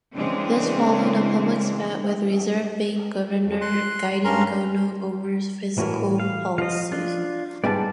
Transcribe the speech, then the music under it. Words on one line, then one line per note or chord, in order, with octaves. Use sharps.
This followed a public spat with Reserve bank Governor Gideon Gono over fiscal policies.
C#3 E3 G#3 C4 D4
F2
C6 F#6
G2 C#4 A#4 A#5 C6
A2 E3 F#4 A#4
F5
F3 D#5 F5
D4 F4
G#2 G3 B3 D5 A5